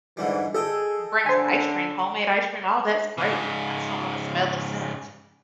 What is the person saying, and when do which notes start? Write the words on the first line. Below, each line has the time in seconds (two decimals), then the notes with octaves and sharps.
bring some ice cream, homemade ice cream, all that's great. I just don't wanna smell the scent.
0.17 G#2 D3 E3 G3
0.54 G#4 A4 D#5 G5
1.26 D3 C5 G#5
3.18 G#2 C#3